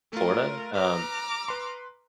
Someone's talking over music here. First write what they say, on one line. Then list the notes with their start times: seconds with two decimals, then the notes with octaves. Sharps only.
Florida, um,
0.13 A3 F4 A#4
0.75 B4 A#5 D6 F6
1.48 B4 C6